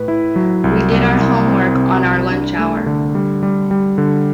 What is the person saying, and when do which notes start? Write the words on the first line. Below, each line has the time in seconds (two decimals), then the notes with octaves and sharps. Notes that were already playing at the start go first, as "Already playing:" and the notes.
We did our homework on our lunch hour.
Already playing: A2 B4
0.08 E4
0.36 F#3
0.64 C2
0.91 C2
1.20 C2
1.48 C4
1.75 C3
2.04 C2
2.31 D4
2.59 A3
2.86 D3
3.15 G3
3.43 G3
3.71 G3
3.98 D3